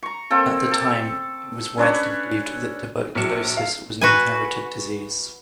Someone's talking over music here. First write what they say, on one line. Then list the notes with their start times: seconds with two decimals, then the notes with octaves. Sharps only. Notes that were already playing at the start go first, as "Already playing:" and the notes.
At the time, it was widely believed that tuberculosis was an inherited disease.
0.03 A#5 C#6
0.30 A#3 C4 A4
0.71 A4
1.78 C#4 D4 B4 C#5
3.15 A#1 F#3 C#7 E7
3.57 F5
4.01 F#4 B4 G#5